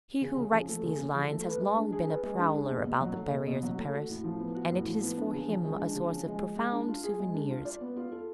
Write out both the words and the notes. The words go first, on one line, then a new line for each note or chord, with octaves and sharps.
He who writes these lines has long been a prowler about the barriers of Paris, and it is for him a source of profound souvenirs.
C#3
C#3
F3
A3
C#3
C#3
F3
A3
B4
G#3
D4
G#4
B4
G#3
D4
G#4
B2
B2
F#3
A3
B2
B2
F#3
A3
F#4
A2
F3
B3
F#4
A2
F3
B3
D4
C#3
F3
G#3
D4
C#3
F3
G#3
G#4
G#3
D4
F4
G#4
G#3
D4
F4
D5
B3
F4
A4